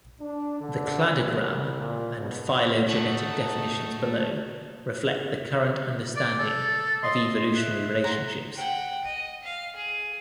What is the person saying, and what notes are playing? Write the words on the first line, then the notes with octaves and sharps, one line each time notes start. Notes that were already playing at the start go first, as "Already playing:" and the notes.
The cladogram and phylogenetic definitions below reflect the current understanding of evolutionary relationships.
D4
D3
C2
A#2
B2
A3 D#4 F#4 A5
D5
A4
D#5 C6
E5 F#6
F#5 A#5 C6
F#5 G5
D#5
F5
G#4